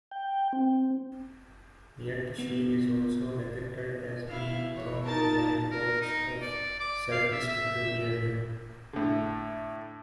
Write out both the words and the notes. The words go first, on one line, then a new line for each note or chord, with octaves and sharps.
Yet she is also depicted as being prone to wild bouts of self-destructive behavior.
G5
C4
B3
E4 F5
E3 C#5
D#4 A#4 A5 A6
A#4
D#4
D5
D6
F5
E5
E5
A2 D3